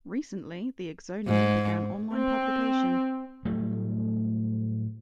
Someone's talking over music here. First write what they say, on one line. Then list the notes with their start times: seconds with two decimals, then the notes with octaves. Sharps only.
Recently, "The Exonian" began online publication.
1.27 G#2
2.13 C4
3.45 A2 F#3 G3 A3